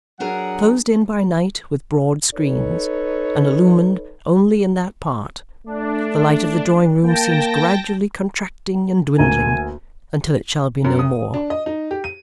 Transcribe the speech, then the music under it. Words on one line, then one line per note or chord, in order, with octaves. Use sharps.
Closed in by night with broad screens, and illumined only in that part, the light of the drawing-room seems gradually contracting and dwindling until it shall be no more.
F#3 D4 G#4 A#4 F#5
D#4 A4 B4 C#5
A3 D4
A#3 G5 A5 A#6
D2 A#3 G#5 A#5
F#2
D#6
D4
D#5
D#4
G4
D#7